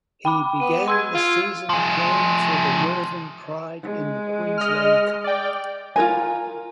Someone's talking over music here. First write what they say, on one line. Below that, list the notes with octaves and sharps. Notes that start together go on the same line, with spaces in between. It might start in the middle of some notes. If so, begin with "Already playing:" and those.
He began the season playing for the Northern Pride in the Queensland Cup.
G5 B5 D6
B3 D#7
G#3 C6 E6 G#6
F4
F3 G#4
G#3
D#5 F6
D5 G5
F4 F#4 A#4 G#5